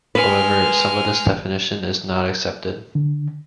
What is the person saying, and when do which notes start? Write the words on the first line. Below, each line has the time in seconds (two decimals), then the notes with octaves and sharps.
However, some of this definition is not accepted.
0.15 G#3 B4 F6
2.95 D3